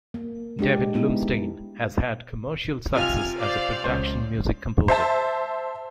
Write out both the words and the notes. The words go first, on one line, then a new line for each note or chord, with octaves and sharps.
David Lumsdaine has had commercial success as a production music composer.
A#3
G#3 D4 G4
G#3 B3 D#4 E4
C3 F4 G#5 F6
C5 D5 F5
C#2 C5
C5 E5 A5